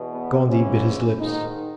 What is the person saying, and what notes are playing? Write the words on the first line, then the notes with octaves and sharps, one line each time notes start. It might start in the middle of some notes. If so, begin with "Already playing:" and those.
Gondy bit his lips.
Already playing: E2 B2
B3
G#2 E3 C#4
G#2 D#3 D#4